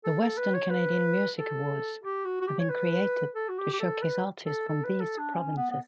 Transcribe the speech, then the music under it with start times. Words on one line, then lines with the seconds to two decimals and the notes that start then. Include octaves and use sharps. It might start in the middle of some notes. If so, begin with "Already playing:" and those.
The Western Canadian Music Awards have been created to showcase artists from these provinces.
0.04 A4
0.21 A4
0.38 B4
0.54 C#5
0.70 B4
1.37 A4
2.04 G4
2.25 F#4
2.41 F#4
2.47 G4
2.59 C#5
2.70 B4
3.35 A4
3.49 F#4
3.58 G4
3.73 G4
3.80 A4
4.03 B4
4.46 A4
4.69 A4
4.84 B4
5.01 A4
5.18 D4
5.34 C#4
5.57 B3
5.71 B3